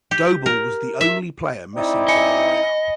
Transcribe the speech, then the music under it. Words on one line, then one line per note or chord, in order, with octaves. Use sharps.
Doble was the only player missing from the line-up.
G4
A#4
E5
C4 D#4 E4 D5
D#5 G#5 B5 C#7